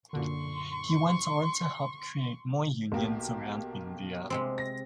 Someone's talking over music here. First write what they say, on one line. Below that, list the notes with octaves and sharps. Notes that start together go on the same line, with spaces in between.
He went on to help create more unions around India.
F#2 A#2 D3 C6 C#6
B1 A#3 G4
C3 G#3 C4
A#6